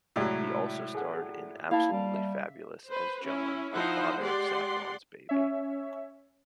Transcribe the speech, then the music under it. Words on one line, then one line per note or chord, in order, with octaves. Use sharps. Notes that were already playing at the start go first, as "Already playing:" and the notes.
He also starred in Absolutely Fabulous as John, the father of Saffron's baby.
A2 C3 F#3 G#3 A3 E4 D5 E5
G#4 A4 F#5
A#3 E4 F5 A5
G3
E5
B4 C5
C#4 E4
F3 D#4 E4 C5 F#5
G#3 G4 D5 F#5 C6
C#4 C#5 E5